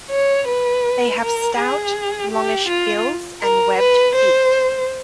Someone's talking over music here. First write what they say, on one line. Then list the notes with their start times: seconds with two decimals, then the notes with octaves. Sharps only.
They have stout, longish bills and webbed feet.
0.10 C#5
0.47 B4
1.20 A#4
1.58 G#4
2.31 G4
2.68 F4
3.41 A#4
3.78 B4
4.15 C5